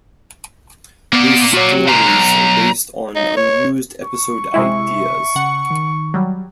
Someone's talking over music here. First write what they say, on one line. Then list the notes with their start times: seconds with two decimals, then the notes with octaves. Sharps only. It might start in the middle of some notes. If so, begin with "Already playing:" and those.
His stories are based on unused episode ideas.
1.13 A#3 B3 D5
1.54 F#4 C#5
1.89 C#2 A#2 A#5
2.06 B1
3.16 D#4
3.37 C#5
4.04 C#6
4.54 C3 G#3 E4 E5
5.36 C#3 F#5 C#7
5.71 D#3
6.14 F#3 G3